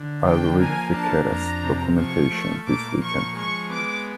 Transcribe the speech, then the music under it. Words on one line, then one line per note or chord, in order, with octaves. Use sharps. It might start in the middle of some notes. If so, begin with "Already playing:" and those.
I'll read the Keras documentation this weekend.
Already playing: D3
F3 G5
A#3 G#5
D4 A5
F2 A#5
C3
F3 C#6
A3
A#2 D6
F3 C#6
G#3 C#6
B3 D6